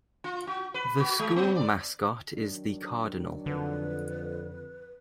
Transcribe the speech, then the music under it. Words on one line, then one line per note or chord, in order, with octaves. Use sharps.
The school mascot is the cardinal.
F4
F#4
B4
F#4
G#3
B3
D5
D#3 F#3 D4
F2 D3 B4